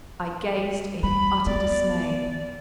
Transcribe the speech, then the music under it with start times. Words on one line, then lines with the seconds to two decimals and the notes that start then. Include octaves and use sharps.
I gazed in utter dismay.
1.03 G3 B5
1.47 B3 D5